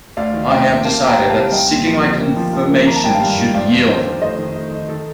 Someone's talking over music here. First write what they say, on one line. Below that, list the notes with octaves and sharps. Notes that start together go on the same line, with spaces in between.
I have decided that seeking my confirmation should yield.
D2 D5 F5
D#3
D2 D#5 G5
D2
A#3 F5 A5
C3
G5 A#5
G3
F5 A5
C3
C2 D#5 G5
A#2
F3
C4
A#3
F3
F3
A#3
D#3 A#5
A5
G2 G5
F5 A5
G2
D#3
F2 D5 F5
F2
D3 C5 D#5
F2
A3 C5 D#5
D#3
A3
D#4
D#3 A4